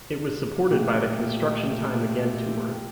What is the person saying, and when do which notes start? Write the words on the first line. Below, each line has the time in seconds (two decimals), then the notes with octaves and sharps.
It was supported by the Construction Time Again Tour.
0.71 A#2 A3 G4